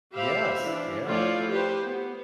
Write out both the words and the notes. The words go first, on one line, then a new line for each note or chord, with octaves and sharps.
yes. Yeah.
G4 C5 E5 F5 B5
E3 D4
F3 A3 E4 F4 C#5 D5
G4 B4 C5
B3